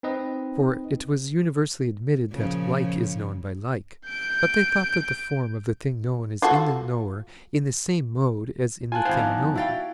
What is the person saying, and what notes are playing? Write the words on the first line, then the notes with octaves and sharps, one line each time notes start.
For it was universally admitted that "like is known by like." But they thought that the form of the thing known is in the knower in the same mode as in the thing known.
C4 D#4 B4 D#5
A#2 C#3 F3
G6 D7
F4 F#4 A4
F4 G#5 A5 F#6
G#1 E4 C5 F5 G5 G#6
F2 B3 D#4 D5 F5
E4 F#4 F5 G5 A6